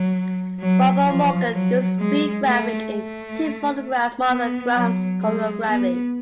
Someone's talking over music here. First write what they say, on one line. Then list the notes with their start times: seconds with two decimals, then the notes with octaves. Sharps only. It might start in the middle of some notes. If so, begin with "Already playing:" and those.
Barbara Morgan used a Speed Graphic to photograph Martha Graham's choreography.
Already playing: F#3
0.60 F#3
1.06 F3
1.53 F#3
1.99 G#3
2.45 A3
2.90 A3
4.29 B3
4.75 F#3
5.21 G#3
5.67 B3